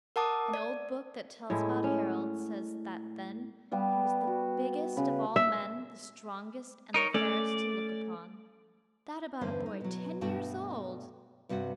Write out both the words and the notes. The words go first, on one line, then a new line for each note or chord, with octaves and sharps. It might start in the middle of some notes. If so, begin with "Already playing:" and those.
An old book that tells about Harald says that then "he was the biggest of all men, the strongest, and the fairest to look upon." That about a boy ten years old!
A#4 F#5 A5 D6 D#6
D5
A2 G#3 E4
C#4
G3 B3 F5
F#4
C#3 B4
E5
D#4 A#4 C#5
A3 C#4 D5
E2 G2 D3 C#4 C5
D#4
B2 F#3
G2 B2 A3 D4 F#4 G5
G2 C3 F#4 A#4 F#5